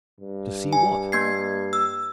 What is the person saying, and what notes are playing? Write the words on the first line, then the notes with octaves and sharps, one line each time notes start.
To see what?
G2
G#5
A#3 G#6 C7
E6